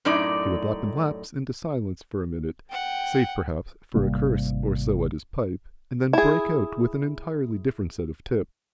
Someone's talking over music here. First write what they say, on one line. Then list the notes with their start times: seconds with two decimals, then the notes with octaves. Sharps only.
He would lapse into silence for a minute, save perhaps for a curse or so at his pipe, and then break out with an entirely different set of tips.
0.05 F#2 A2 D#4 D5
2.70 F#5 G5
3.95 G#1 C3 G3 A#3
6.13 E4 G#4